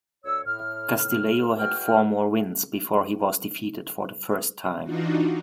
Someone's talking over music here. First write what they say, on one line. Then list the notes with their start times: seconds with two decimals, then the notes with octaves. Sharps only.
Castillejo had four more wins, before he was defeated for the first time.
0.24 D2 C#5 E6
0.47 A2 F6
1.59 E2 F#4 G5 F6
4.84 E3 D4 D#4 F4 F#4